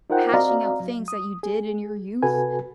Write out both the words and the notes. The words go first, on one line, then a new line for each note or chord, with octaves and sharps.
hashing out things that you did in your youth,
D#4 F4 A#4 C5 F#5 G5
C4 F#4 D5 D#5 F5 A#5
F#3
D#6
G#4
C3 F#4 A4 B4 G#5